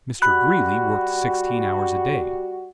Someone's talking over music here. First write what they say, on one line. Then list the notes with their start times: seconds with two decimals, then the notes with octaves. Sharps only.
Mr. Greeley worked sixteen hours a day.
0.22 G3 F#4 B5 F#6